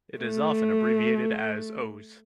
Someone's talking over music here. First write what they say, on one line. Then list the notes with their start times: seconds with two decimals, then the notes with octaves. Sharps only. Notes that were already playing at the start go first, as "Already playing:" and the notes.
It is often abbreviated as Ose.
0.21 A3